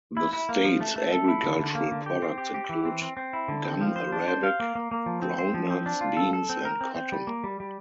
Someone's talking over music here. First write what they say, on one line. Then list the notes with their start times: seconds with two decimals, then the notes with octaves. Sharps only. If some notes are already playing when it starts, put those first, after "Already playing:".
The state's agricultural products include gum arabic, groundnuts, beans, and cotton.
0.17 E4
0.33 E4
0.49 A#3
0.64 F3
0.80 A3
0.96 A3
1.12 A4
1.28 E4
1.44 D3
1.59 D3
1.75 A#3
1.92 D3
2.06 G4
2.22 C4
2.38 G4
2.54 G4
2.69 E3
2.85 C4
3.02 C4
3.17 C4
3.33 E4
3.48 D3
3.65 C4
3.81 F3
3.96 C5
4.12 D4
4.28 C5
4.43 F5
4.60 A#3
4.75 A#3
4.91 A#3
5.06 F3
5.22 C4
5.39 C5
5.54 F3
5.70 C4
5.86 D4
6.01 F4
6.17 A4
6.33 A4
6.49 C4
6.65 A#4
6.81 C4
6.96 C4
7.12 G3
7.27 A#3
7.44 G3
7.60 G3